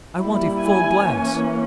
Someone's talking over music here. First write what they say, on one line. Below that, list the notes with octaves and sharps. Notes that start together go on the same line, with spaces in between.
"I want a full glass."
G3 A#3 E4
G#5
E3 A#3 C#4